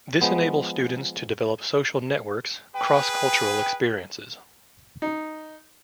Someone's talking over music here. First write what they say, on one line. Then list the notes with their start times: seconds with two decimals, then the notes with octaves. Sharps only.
This enables students to develop social networks, cross-cultural experiences.
0.22 F3 G#3 B3
2.74 G#4 B4 G5
5.02 D#4